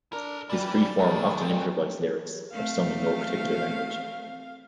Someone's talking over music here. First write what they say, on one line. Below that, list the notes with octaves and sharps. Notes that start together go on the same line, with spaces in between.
His freeform, often improvised lyrics, were sung in no particular language.
D4 A4 A#4 A#5
G3 E4 D5 G#5
D#2 G#3 G#4 A4
A2 C4
A3 C4 F5